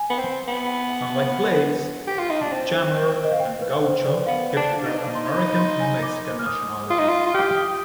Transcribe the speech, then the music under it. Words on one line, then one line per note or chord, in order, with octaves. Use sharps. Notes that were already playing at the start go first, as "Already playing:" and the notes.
Unlike Blades, Jammer and Gaucho kept their American and Mexican nationalities.
Already playing: G#5
B3
C4
B3
G4
F4
D#4
D4
C4
D#5
F5
G5
B4
B4
C5
D5
B3 F5
D4
D#4
D4
D#4
C6
B5
B5
C6
G#5
D6
F6
D#6
F4 D#6
D#4
F4
F4
G4 F6
F6
D#6